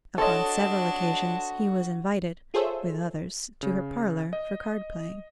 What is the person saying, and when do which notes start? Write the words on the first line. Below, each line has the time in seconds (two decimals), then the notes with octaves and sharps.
Upon several occasions he was invited, with others, to her parlor for card playing.
0.18 D4 F#4 A4 C#5 D#5 A5 C6
2.54 F4 G#4 A4 C5 C#5 E5
3.63 C#3
4.33 D#5